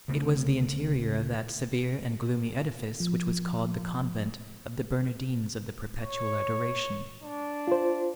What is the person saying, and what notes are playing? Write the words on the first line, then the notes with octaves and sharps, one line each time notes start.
It was the interior of that severe and gloomy edifice which was called the Convent of the Bernardines of the Perpetual Adoration.
D2 C#3 A3 C4
F3
C#5
D4
F4 C5